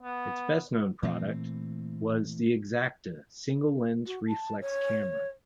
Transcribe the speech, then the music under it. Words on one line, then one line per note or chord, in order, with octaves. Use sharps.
Its best-known product was the Exakta single-lens reflex camera.
B3
A#2 E3 A3 C4
F#4
A5
C#5